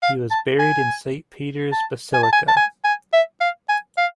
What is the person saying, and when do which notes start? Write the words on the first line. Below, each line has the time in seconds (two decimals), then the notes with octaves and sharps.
He was buried in Saint Peter's Basilica.
0.03 F5
0.31 A5
0.59 G#5
1.72 A5
2.14 G#5
2.23 A5
2.33 G#5
2.48 A5
2.57 G#5
2.84 G#5
3.13 E5
3.41 F5
3.69 G#5
3.97 F5